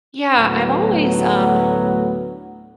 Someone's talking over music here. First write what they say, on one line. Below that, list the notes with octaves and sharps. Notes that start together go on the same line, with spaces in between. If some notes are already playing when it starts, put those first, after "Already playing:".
Yeah, I've always, um
D2 A2 F#3 B3